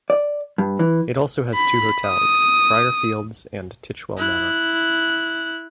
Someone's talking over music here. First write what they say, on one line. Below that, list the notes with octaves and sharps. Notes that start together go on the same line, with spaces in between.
It also has two hotels, Briarfields and Titchwell Manor.
D5
G2
E3
B5
D#6
E4 F#6